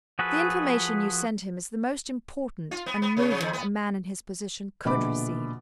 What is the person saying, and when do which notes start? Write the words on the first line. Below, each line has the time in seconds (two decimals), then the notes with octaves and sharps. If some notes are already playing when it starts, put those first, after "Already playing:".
"The information you sent him is the most important, and moving, a man in his position could receive."
0.19 F3 F#4 G#4 A4 B4
2.71 F4
2.86 B3
3.02 B3
3.17 C3
3.30 C3
3.42 E2
3.53 B3
4.85 A#1 B2 D3 B5 D6